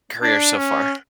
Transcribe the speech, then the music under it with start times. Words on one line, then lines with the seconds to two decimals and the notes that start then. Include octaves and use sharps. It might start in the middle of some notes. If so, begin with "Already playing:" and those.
career so far?
0.23 D4
0.58 C#4